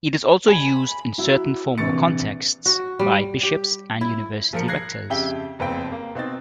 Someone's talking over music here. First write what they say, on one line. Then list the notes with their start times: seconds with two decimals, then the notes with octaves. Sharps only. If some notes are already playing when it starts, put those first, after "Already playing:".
It is also used in certain formal contexts by bishops and university rectors.
0.48 G#5 B5
1.18 F#3 E4
1.78 A#1 C3 E3 C#6 A6 C#7
2.66 F#4
2.99 G3
3.43 G4
4.01 E4
4.53 A#1 F3 A#4 C#7
4.68 F#6 G#6 A#6 C7
5.10 F2 C#3 G4 E5 G7
5.59 F#1 F2 B3 C4 G5
5.92 A#3
6.15 B2 C4 D#4 A6